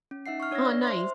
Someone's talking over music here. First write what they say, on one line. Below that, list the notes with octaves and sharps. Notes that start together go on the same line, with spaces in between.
Oh, nice.
C#4
D#4 E5 F#5 C7
C#6 F6
D4 C#5 E6 G#6 A#6
D5
C5 E5 C6